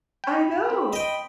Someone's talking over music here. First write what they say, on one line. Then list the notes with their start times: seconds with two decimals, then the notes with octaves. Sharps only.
I know.
0.24 G5 B5
0.70 C4
0.93 D#5 G5